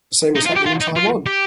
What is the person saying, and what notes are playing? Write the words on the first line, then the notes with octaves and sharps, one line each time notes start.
The same was happening in Taiwan.
D#4
F4
G4
F4
D#4
F4
G4